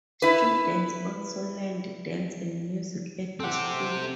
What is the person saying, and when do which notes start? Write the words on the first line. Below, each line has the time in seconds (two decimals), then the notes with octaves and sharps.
Students also learned dance and music at the school.
0.22 E4 B4
3.40 C4 G4 A4 F#5